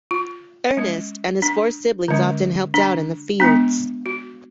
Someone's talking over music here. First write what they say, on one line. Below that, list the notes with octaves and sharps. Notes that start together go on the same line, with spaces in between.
Ernest and his four siblings often helped out in the fields.
F4
G#3 C#4
D4
D3 G#3 C#4
D4
G#3 B3 D4
F#4